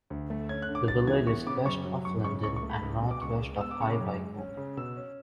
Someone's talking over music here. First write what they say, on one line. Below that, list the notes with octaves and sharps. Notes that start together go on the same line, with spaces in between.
The village is west of London and north west of High Wycombe.
D2
A3
C#4 G#6
F#6
D3
D6
C#2 A6
E3 G#6
B3 C#6
C#3 D6
F#2 C#6
F#3
F#2 C#6
C#3 C#6
C#2 C#6
C#6
A3
B5
C#2
B2
D6
C#2 C#6
G#3
B3 E6
D6
C#3 C#6
D6
F#2
G#3
C#4
C#3
B2 E6
C#4